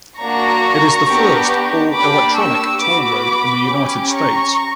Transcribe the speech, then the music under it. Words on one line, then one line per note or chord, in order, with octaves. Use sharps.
It is the first all-electronic toll road in the United States.
A#3 D4 F#4 A#5 C#6
B3 D4 G4
A#3 D4 G4 B5 D6
C#6 E6
B3 F#4 B5 D6
C#4 G4
A#5 C#6